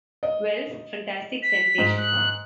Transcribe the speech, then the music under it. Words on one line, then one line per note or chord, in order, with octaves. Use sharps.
Wells' Fantastic Sensation.
D#5
B6
G#2
F#6